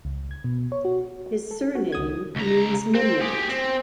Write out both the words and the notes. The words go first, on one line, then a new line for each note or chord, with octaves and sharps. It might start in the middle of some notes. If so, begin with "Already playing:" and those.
His surname means "midnight".
C#2
G#6
B2
C#5
F#4
A4
F#4
C#2 D#6 G#6
C#2 A#5
C4
G4 G#4
C4